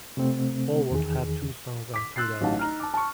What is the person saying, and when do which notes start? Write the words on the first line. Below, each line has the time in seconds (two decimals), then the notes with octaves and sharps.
Alvord had two sons and two daughters.
0.17 C3 A3 C4
0.90 E2 D#3 G#4
1.94 D6 B6
2.16 C6 E6 F#6 A6 C7
2.41 A1 F#3 D#4 F#4 F5 A5
2.59 D#4 A#5 F6
2.80 A5 D6
2.94 A5 C#6